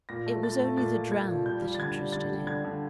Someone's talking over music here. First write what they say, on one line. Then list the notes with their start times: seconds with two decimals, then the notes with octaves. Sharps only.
It was only the drowned that interested him.
0.09 A#2 A#6
0.26 A3
0.43 A#2 A6
0.60 A3
0.77 A#2 A6
0.94 A#2
1.12 A#2 G#6
1.28 F3
1.45 G3 G6
1.62 G3
1.75 A6
1.79 D3 G#6
1.96 G3
2.12 D3 A6
2.29 G3
2.46 D3 G#6
2.64 D3